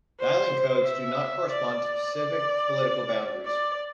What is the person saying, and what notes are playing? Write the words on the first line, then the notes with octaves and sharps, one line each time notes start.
Dialling codes do not correspond to specific political boundaries.
C5
E5
D5
D5
D5